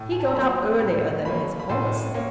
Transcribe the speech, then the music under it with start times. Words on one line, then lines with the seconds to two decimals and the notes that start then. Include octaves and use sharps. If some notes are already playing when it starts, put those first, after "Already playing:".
He got up earlier than his horse.
Already playing: A2
0.12 G#5
0.20 A5
0.27 A#5
0.35 F#3 A#3 C#4 B5
0.80 A2 B5
1.25 F#3 A#3 C#4 B5
1.60 B5
1.69 A2 C6
2.14 A#3 C#4